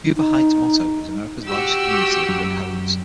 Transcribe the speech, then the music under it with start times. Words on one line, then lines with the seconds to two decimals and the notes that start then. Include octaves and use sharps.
Huber Heights' motto is America's largest community of brick homes.
0.16 D#4
1.47 F#4 G4 E6
2.29 F#2